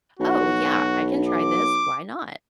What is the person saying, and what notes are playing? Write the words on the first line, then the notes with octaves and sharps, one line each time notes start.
"Oh, yeah, I can try this, why not?
B1 F#4
D6